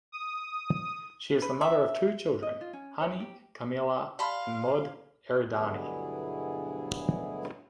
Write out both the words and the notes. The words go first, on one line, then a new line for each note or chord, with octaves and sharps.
She is the mother of two children, Hani Karmila and Mohd Eridani.
D#6
B4
E5
D#5
F4
C#4
C#5
G4
G4 D5 F5 A5 B5 C6
D2 G2 B2 F#3 E4 G#4